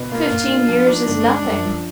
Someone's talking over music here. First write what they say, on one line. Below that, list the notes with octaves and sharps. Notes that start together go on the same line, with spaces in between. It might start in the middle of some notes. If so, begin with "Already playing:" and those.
Fifteen years is nothing.
Already playing: B2
A#3 F4
A#2
D4
F3
D#3 D4
G1
G#3
F#2
F3